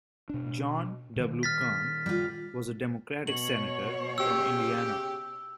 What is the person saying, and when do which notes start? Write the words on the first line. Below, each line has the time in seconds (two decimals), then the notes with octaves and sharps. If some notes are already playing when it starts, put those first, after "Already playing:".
John W. Kern was a Democratic Senator from Indiana.
0.29 B2 D4
1.16 A#2 D#3
1.43 F6 A6 B6
2.06 G3 F4
3.27 B2 C#5 F#7
4.18 C#3 G4 E6